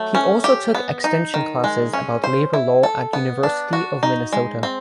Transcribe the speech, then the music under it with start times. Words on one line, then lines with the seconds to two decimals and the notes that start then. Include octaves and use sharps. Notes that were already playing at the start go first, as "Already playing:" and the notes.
He also took extension classes about labor law at University of Minnesota.
Already playing: F#3 A3
0.15 C#4
0.44 G4
0.74 B3
1.04 D#4
1.34 D#3
1.64 G#3
1.93 C#4
2.24 C5
2.53 E4
2.83 A4
3.13 B3
3.43 D4
3.73 F#4
4.03 D#4
4.32 G#3
4.63 C4